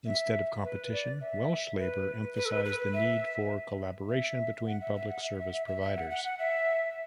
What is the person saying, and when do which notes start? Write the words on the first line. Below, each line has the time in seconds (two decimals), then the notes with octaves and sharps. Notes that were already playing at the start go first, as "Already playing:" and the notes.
Instead of competition, Welsh Labour emphasised the need for collaboration between public service providers.
0.06 E5
0.63 B4
0.92 D5
1.21 E5
1.79 B4
2.36 B4
2.46 A4
2.51 B4
2.65 B4
2.94 E5
4.09 E5
4.66 F#5
4.81 E5
4.95 E5
5.09 F#5
5.24 E5
5.39 E5
5.53 E5
5.67 E5
5.82 E5
5.96 F#5
6.10 F#5
6.25 F#5
6.39 E5